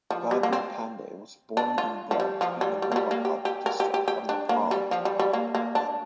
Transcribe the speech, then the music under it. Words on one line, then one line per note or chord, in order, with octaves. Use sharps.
Badri Pandey was born and bred in the Nuwakot District of Nepal.
F3
G3
A#3
C4
D4
F4
F3
G3
F3
G3
G3
A#3
G3
A#3
G4
G4
A#4
G4
G4
G4
D4
A#3
G3
F3
G3
G3
A#3
A#3
D4